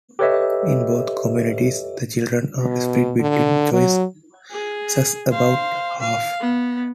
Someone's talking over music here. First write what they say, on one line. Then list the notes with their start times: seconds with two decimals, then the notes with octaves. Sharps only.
In both communities, the children are split between choices about half.
0.19 G4 A4 B4 C#5 D#5 E5
2.59 B2
3.19 D3
3.72 F#3
4.51 G#4
5.31 C5 F5
6.01 F5
6.40 B3